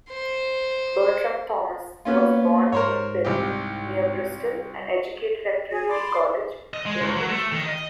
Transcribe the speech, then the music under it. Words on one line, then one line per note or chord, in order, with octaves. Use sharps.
Bertram Thomas was born in Pill near Bristol and educated at Trinity College, Cambridge.
C5
A#3 B3 C#4 F4
G#2 A#4 C5 C#5
C2 G4
G#4
D5 B5 C6
D#5
G#3
C#2
F#3
A3
D#3
D#5